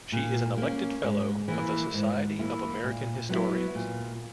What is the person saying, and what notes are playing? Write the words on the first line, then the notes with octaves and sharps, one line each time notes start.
She is an elected Fellow of the Society of American Historians.
A#2
A#3 C#4
G#2
E3 A#3 E4
G#2
E3 A#3 E4
A#2
F#3 B3 E4
A#2